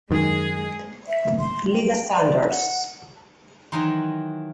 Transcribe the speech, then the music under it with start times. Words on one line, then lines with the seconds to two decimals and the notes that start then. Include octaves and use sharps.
Liga standards.
0.11 F#2 D#3 G#3 G#4
1.08 E5
1.39 C6
1.72 G5
2.15 D5
2.49 F#5
3.72 D#3 E3 F#3 D#4 A#5 C6